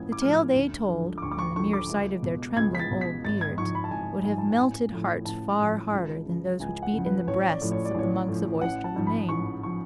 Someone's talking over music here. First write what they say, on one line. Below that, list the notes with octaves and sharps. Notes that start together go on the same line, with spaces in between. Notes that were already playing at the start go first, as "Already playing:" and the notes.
The tale they told, and the mere sight of their trembling old beards, would have melted hearts far harder than those which beat in the breasts of the monks of Oyster-le-Main.
Already playing: A1 A2 F3 G#6
D6
A2 F3 F6
D2
D3 F3
D6
D2 C#6
D6
C#6
D3 F3 C#6
D6
C#2
B2
C#2 G#6
B6
A6
B2
B6
G#1 A6
G#6
G#2 F3 C#6
B5
A5
G#1 G#5
G#2 F3 G#5
A5
G#5
A1
A2 F3
A1 A5
A2 F3
C#2
C#3 F3
C#2 G#5
F#5
C#3
F3
B4
A1 C#5
D5
A2 F3
C#5
D5
A1 C#5
A2 F3
A1 F#5
A5
G#2 F3
B5
A1 C#6
F3 C#6